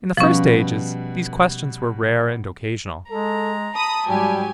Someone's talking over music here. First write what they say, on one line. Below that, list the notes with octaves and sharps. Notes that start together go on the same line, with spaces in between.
In the first ages these questions were rare and occasional.
B2 F3 G3 C#4 B4
G#3 A4 A#5
A5 B5 D#6
G#2 F#3 G3 G4 G#5